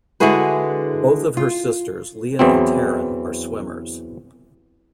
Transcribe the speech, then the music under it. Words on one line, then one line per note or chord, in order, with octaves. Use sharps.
Both of her sisters, Leah and Taryn, are swimmers.
D3 G#3 E4 F#4 G#4 B4
F4
E2 E3 F#3 C4